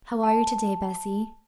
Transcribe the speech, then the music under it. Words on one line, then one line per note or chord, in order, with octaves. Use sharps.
"How are you today, Bessie?"
A5